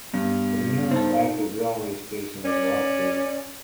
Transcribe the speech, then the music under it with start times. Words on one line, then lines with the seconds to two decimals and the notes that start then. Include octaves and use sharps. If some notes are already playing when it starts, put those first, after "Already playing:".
The nearest active railway station is Rugby.
0.14 G2 B3
0.91 C4 D#4 A4
2.45 C#4 D5